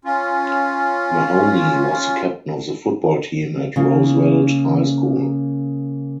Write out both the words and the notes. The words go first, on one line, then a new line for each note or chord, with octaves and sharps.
Mahoney was the captain of the football team at Roosevelt High School.
C#4 F4
C#3 A#3